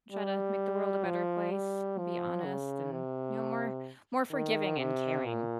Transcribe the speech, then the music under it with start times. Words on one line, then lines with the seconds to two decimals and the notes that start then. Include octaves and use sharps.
Try to make the world a better place, be honest, and, you know, more more forgiving and caring.
0.12 G3
1.05 F3
1.51 G3
1.99 F3
2.45 C#3
2.92 C3
4.32 D#3
4.78 C3
5.25 A#2